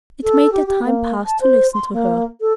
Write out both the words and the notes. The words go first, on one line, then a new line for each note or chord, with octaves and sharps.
It made the time pass to listen to her.
A4
G4
G4
A#3
A5
C5
C6
A#3
A4